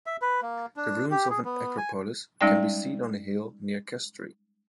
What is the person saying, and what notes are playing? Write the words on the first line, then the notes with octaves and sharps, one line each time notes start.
The ruins of an acropolis can be seen on a hill near Kastri.
E5
B4
A#3
D4
G4
G#4
B3
G#5
G3 G#3 C#4 D#4 D5 G5